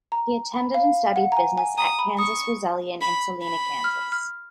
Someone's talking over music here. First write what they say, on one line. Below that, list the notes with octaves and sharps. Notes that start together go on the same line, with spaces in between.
He attended and studied business at Kansas Wesleyan in Salina, Kansas.
A#5
B5
F5
F#5
A#5
G#5
G#5
A#5 D#6
B5
C#6 D#6
B5
B5
F6
F6